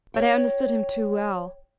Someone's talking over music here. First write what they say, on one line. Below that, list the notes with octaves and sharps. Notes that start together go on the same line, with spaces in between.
But I understood him too well.
C#5 G5